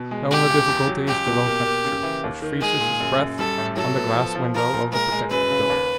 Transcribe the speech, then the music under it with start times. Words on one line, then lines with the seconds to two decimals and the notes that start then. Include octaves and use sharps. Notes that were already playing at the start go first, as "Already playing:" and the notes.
The only difficulty is the low temperature, which freezes his breath on the glass window of the protecting dome.
Already playing: B2
0.11 G#3
0.31 C#2 G4
0.50 C#2
0.68 E2
0.88 F#3
1.08 C#2 G4
1.27 B2
1.46 A#3
1.65 A#3
1.84 C#3
2.03 E3
2.24 D#2
2.42 D#3
2.61 G#3 G#4
2.80 A#2
3.00 F#2
3.19 F#2
3.38 G3 A4
3.58 A2
3.77 F#3 A4
3.96 B3
4.16 F3
4.35 F3
4.54 F3 A#4
4.73 A#2
4.92 G#3 A#4
5.12 G#3
5.31 F#2 B4
5.50 C#3
5.70 D#2